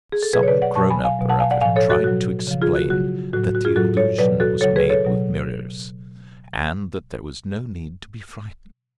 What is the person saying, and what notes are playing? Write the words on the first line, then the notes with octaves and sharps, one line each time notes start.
Some grown-up or other tried to explain that the illusion was made with mirrors, and that there was no need to be frightened.
G#4
A4
B2 F#3 G#4 B4
C#5
B4 D5
D5 F#5
B2 F#3 A5 C#6
G#5 B5
F5 G#5
B2 F#3
F#5 A5
F5 G#5
D5 F#5
A2 F3 F5 G#5
A4 C#5
F#4 A4
B2 F#3 F#4
C#3 F3
F4 G#4
F#4
C#3 F#3 F#4
A2 F#3 F#4
F#4
F#4
F4 G#4
A2 F#3 F#4 A4
A4 C#5
B2 F#3 B4 D5
F#4 A4
C#3 F#3 A4 C#5
G#4 B4
A4 C#5
B2 F#3